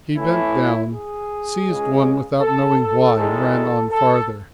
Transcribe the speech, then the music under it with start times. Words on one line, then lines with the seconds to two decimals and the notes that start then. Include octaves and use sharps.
He bent down, seized one without knowing why, and ran on farther.
0.16 A2 E3 A3 E4
0.91 G#4
1.66 C#2 C#3 G#3
2.41 A4
2.79 A4
3.15 E2 D#3 G#3 A4
3.90 A4